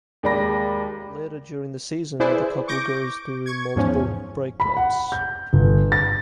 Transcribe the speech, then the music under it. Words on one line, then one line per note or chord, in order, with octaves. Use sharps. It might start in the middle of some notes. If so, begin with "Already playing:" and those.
But later during the season the couple goes through multiple breakups.
D#2 G#3 D5 B5 A#6
E4 G#4 B4 C5 D5
C#6 D6 G6 A#6 D7
C#6 G#6
E2 G#2 F3 C#4
B5
F#5
G6
G1
A6